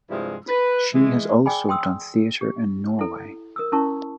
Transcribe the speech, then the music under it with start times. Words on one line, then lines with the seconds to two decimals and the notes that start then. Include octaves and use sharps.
She has also done theater in Norway.
0.10 G2 C3 F3 G#3 E4
0.49 B4
0.94 E3 G#3
1.46 G#4 D5 G5 G#5 B5
1.69 G5 C6 D#6 E6
2.41 G4
2.99 E4 A4
3.56 A#4 D#6 E6
3.72 C#4 E4 A#4 A5 C#6